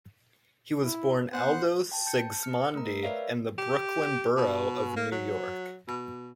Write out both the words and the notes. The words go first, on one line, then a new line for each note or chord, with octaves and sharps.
He was born Aldo Sigismondi in the Brooklyn borough of New York.
E4
B3 C5 F#5 F#6
G5 A5
A5 G6 C#7
F6 C#7
A3 A#4 A#5
C7
A#4 B4 C#5 D5 E5 F5
G4
B2
A#3
F#3
B2